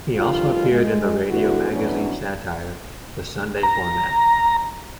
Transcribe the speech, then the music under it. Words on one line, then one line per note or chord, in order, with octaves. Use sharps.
He also appeared in the radio magazine satire "The Sunday Format".
D3 D#3 F3 G3 F4
G#3
D3 E3 B3 E4 F#4
F#2 E3 F#3 B3 C#4 D4
A#5